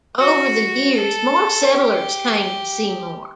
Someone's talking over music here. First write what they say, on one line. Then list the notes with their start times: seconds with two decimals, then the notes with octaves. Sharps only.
Over the years more settlers came to Seymour.
0.18 F#4
0.95 A4
1.71 G4